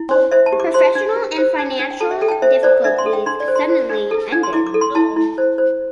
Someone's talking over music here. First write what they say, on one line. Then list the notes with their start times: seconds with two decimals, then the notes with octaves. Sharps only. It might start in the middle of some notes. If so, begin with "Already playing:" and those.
Professional and financial difficulties suddenly ended.
Already playing: E4
0.11 C5
0.31 C5 E5
0.46 A5
0.53 G4
0.60 D6
0.74 C5 C6
0.95 D4
1.16 G4
1.38 C5
1.58 D4 A5
1.79 D4
1.91 G5
2.00 A4 A5
2.11 E5
2.21 A4 G5
2.28 A5
2.31 G5
2.42 C5 E5
2.63 C5 D5
2.84 D4 E5
2.98 C6
3.06 A4
3.13 G5
3.26 D4 C6
3.40 D5
3.48 C5
3.55 C6
3.70 C5
3.89 D4
4.11 A4
4.32 D4
4.43 C6
4.53 E4 D6
4.67 D6
4.74 A4
4.81 C6
4.95 E4 A5
5.16 E4
5.38 C5
5.58 C5